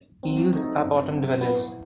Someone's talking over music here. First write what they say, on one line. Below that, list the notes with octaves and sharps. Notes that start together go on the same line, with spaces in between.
Eels are bottom dwellers.
F#3 C4
A3 D#4 A4
G2
F#3 C4
E3 B3